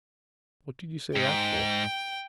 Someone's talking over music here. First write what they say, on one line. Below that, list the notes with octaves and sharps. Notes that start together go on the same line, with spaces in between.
What did you say that for?
G#2 G5